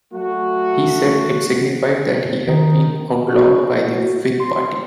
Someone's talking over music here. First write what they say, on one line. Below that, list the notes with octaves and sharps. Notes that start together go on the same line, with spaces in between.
He said it signified that he had been "outlawed" by the Whig party.
F#3 A3 F#4
D#3
F#4
C6